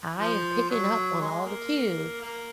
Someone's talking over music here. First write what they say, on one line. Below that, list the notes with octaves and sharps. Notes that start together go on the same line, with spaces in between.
I am picking up on all the cue.
F3
F#3
G#3
A#3
A#3